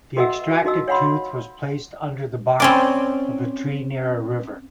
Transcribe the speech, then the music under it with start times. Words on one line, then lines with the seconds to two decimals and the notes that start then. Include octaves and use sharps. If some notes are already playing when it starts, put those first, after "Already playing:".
The extracted tooth was placed under the bark of a tree near a river.
0.17 F#4 B4 D#5 E5 F#5 E6
0.65 D#4 F#4 D#5 E6
0.88 C#5 F5 F#5 B5 C6
2.60 C4 C#4 D5